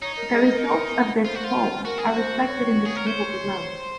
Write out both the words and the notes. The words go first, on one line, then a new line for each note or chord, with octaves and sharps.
The results of this poll are reflected in the table below.
D#4 C#5
A#4
G#4
A#4
F4 C5
F#4
F4
F#4 A#4
G#4
F#4
C5
C#5
G#4
A#4
C5